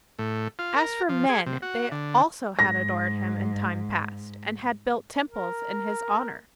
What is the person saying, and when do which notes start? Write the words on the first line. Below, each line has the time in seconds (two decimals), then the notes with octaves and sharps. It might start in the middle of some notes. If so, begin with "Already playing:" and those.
As for men, they also had adored him in time past, and had built temples in his honor.
0.19 A2
0.59 F4
0.75 A#4
1.09 F3
1.29 G#4
1.46 C3
1.62 F#4
1.92 D3
2.59 G#2 A#6
5.29 A#4